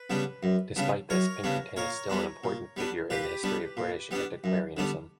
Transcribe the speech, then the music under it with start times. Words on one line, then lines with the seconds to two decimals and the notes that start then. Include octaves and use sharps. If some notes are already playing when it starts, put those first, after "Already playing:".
Despite this, Pinkerton is still an important figure in the history of British antiquarianism.
Already playing: B4
0.10 C#3 G3 B3 D4
0.43 F#2
0.76 C#3 G3 B3 D4
1.10 F#2 A#4 C#5
1.44 C#3 G3 B3 D4
1.76 A#2 A#4 C#5
2.10 G3 B3 D4
2.44 A#2
2.77 G3 B3 D4
3.10 A#2 G4 B4
3.43 G3 B3 D4
3.77 A#2
4.11 G3 B3 D4
4.44 F#2
4.77 D3 G3 B3 D4